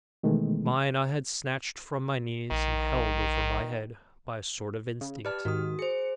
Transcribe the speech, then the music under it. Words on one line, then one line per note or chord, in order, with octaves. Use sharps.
Mine I had snatched from my knees and held over my head, by a sort of instinct.
B2 D#3 E3 G#3 A3 B3
A#1 D#3
C#3
G4 B4 D5 A5 F6
G#2 D#3 F#4 D#6
G#4 C5 C#7